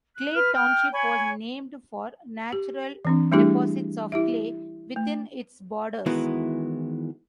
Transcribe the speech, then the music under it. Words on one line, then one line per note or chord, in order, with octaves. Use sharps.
Clay Township was named for natural deposits of clay within its borders.
F#6
B4 F6
G5 F6
C#5 G#5 B5
G4
E3 C4 D4
G3 A3 D4 E4 G4 G#4
E4 G4 E5
A3
D#3 E3 G#3 B3 E4 F#4